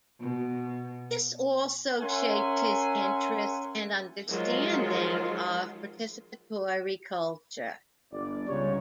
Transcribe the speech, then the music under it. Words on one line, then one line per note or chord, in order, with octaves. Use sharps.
This also shaped his interest and understanding of participatory culture.
B2
C#4 A#4 E5 F#5 G#5 C6
D#3 F3 F#3 G#3 F4
G1 D5
C#2 G#2 C#3 G3 C#5